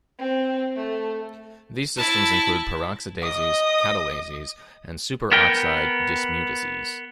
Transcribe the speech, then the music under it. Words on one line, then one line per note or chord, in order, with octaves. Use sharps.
These systems include peroxidases, catalases, and superoxide dismutases.
C4
A3
E4 A5
D#5 D#6
B3 A#4 G5